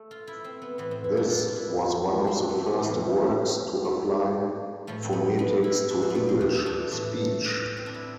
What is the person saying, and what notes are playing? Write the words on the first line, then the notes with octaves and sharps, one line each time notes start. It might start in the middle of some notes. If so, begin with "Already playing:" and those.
This was one of the first works to apply phonetics to English speech.
Already playing: A3
F4
E4
C4
B3
A2 E3 B3
C4
E4
D4
F4
D4
E4
C4
D4
A3
C4
B3
E2 C3 E3 B3
A3
A2 F3 A3
C4
B3
B3
E4
D4
C4
A3 B3
G#3
A3
D4
A2 E3 D4
C4
D4
E4